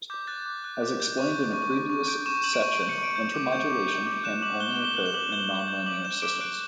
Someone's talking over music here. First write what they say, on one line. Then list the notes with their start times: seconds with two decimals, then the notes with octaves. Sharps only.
As explained in a previous section, intermodulation can only occur in non-linear systems.
0.10 D6 G6
0.27 F#6 A6
0.46 D6
0.64 F#6
0.82 D6
1.00 G6
1.18 C#6
1.36 G6
1.54 C#6
1.72 G6
1.90 C#6
2.08 G6 D7
2.26 C#6 E7
2.44 G6 F#7
2.54 D7
2.62 C#6 E7
2.75 G6 D7
2.89 C#7
2.98 C#6 D7
3.16 G6
3.34 D6
3.53 G6
3.70 D6
3.88 G6
4.07 D6
4.24 F#6 E7
4.42 D6 F#7
4.60 F#6 G7
4.79 D6
4.85 G7
4.96 F#6 F#7
5.06 E7
5.14 D6 F#7
5.32 G6 G7
5.50 D6
5.59 G7
5.68 G6
5.86 D6 F#7
6.04 G6 E7
6.22 D6 D7
6.41 F#6 D7